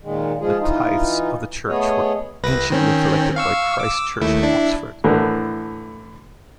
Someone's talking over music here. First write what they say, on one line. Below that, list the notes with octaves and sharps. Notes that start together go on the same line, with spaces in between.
The tithes of the church were anciently collected by Christ Church, Oxford.
A#2 D#3 G#3
F3 G#3 F4 G#4
E3 D#4 F4
A3 B3 G#4 C#5 D#5
C2 B4 A#6
D#3 C4 C#4
F5 C#6 E6
D6 E6
D#2 A3 E4
D4 E4
A2 D3 E3 A#4 B4